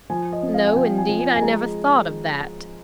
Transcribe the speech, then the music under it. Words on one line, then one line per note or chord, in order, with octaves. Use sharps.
"No, indeed, I never thought of that."
F3 G#5
D#5
C4
F5
G#5
F3 G5
G#5
F3
G#5
G#5
G#3 A#5